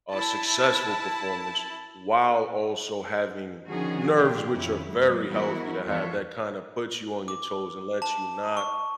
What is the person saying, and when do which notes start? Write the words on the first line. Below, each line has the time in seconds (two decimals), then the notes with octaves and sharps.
a successful performance while also having nerves, which are very healthy to have, that kind of puts you on your toes and lets you not
0.13 E4 A5
3.69 D3 D#3 F3 C#4 F#4 G#4
4.16 A#2 F4 G4
4.54 F2 D#3 C#4 E4
4.89 F#2 F#3 G#3
5.28 E3 G3 B3 E4 F#4 A#4
5.85 E2 F3 F4 A4 C#5 E5
7.28 D6
8.02 A5
8.57 C#6